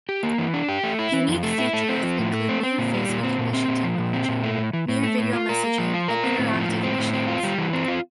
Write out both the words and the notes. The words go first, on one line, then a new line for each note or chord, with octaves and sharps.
Unique features include new face recognition technology, new video messaging, and interactive missions.
G4
A#3
E3
D4
G4
A3
E4
E3
F2
A3
E4
A3
C4
F3
A2
A3
C4
C4
A#2
G3
A#2
C4
A#2
C4
A#2
F3
A#2
C4
A#2
A3
A2
E3
A2
A3
A2
F4
A#4
A#3
F3
F4
A#4
C4
A2
F3
A2
C4
A2
C4
F4
G3
E3
C4
F4